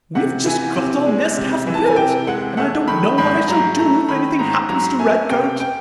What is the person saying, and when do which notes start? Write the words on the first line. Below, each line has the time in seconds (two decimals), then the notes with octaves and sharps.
We've just got our nest half built, and I don't know what I shall do if anything happens to Redcoat.
0.15 C3 F#5
0.45 E3 G#5
0.76 C3
1.06 G#3
1.37 C3
1.66 E3
1.74 A5
1.85 G#5
1.96 C3 G5
2.27 G#3 F#5
2.57 A3 F#5
2.88 D#3 B5
3.18 G#2 B5
3.48 F#3 A#5
3.78 A3 A#5
4.08 D#3 B5
4.39 G#2 A#5
4.69 F#3 A#5
4.99 A3 G#5
5.30 C3 G5
5.60 G5